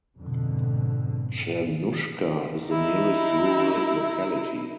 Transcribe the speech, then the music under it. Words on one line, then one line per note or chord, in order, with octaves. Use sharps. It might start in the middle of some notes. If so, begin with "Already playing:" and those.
Chernushka is the nearest rural locality.
F2 G#2 B2 D3
D#4 E4